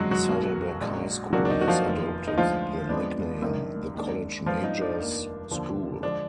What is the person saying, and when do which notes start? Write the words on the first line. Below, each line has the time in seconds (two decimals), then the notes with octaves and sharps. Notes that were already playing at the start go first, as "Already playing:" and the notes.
Saddleback High School has adopted the nickname "The College Majors School".
Already playing: F#1 F2 D3 F3 F#3 G#3 F#4
0.11 F#3 F#4
0.28 B1 B2 A#3
0.81 A#1 A#2 G#3 D4
1.33 F2 D#3 F#3 A#3 D4 F#4
1.45 D4
1.50 D#4
1.61 F#4
1.68 F3 F4
1.85 F1 D#2 D#3
2.27 D#4
2.37 D2 D3 F3 G#3 F4
2.89 F2 F3 G#3 B3 D4
3.42 F#1 F#2 D#3 A#3 D4
3.94 D#2 D#3 G#3 D4
4.46 G#2 F3 B3 D4 F4
4.64 D#4
4.81 D4
4.99 F1 D#2 D#3 A#3
5.51 D#2 D3 F3 A#3
6.03 D3 F3 G#3 D4